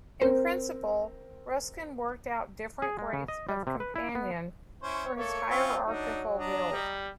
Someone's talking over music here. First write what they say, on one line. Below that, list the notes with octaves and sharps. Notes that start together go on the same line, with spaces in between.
In principle, Ruskin worked out different grades of "Companion" for his hierarchical Guild.
C4 A#4 C5
G#4
G#3
C#3
D#5
G3
C3
B4
E4
B3
C#4 E4 C5 C#5
A3 A#3 A4 C#5
C4 C#4 E4 F4
F#3 D4 D#4
D4 D#5 A#5
G3